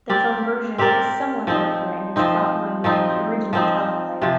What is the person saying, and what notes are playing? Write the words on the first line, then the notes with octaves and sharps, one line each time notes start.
The film version is somewhat darker in its plotline than the original teleplay.
C4 G4 A#4 D5
C4 G4 A#4 D5
F3 C4 D#4
F3 C4 D#4
F3 C4 D#4
F3 C4 D#4
C3 F3